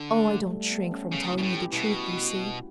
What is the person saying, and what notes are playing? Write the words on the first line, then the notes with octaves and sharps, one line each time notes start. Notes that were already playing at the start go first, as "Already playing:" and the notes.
Oh, I don't shrink from telling you the truth, you see.
Already playing: D3
A3
G3
G3
A3
B3
C#4
C#3 C#4
E4
B2
A2
G4
B2 E4
F#4